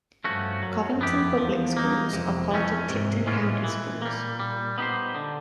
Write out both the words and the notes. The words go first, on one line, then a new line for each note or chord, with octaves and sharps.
Covington Public Schools are part of Tipton County Schools.
G2 F3 A3 C#4 F#4
F#2 F#3
F2 B3 E4 G4
E2 F3
A#3 D#4
F2 C3
F2 E3 A3 C#4
G#2 C3
A2 E3 G#3 C#4 F4
A#2 E3
G3 A#3
G3
B3 D#4 G4 C5
D3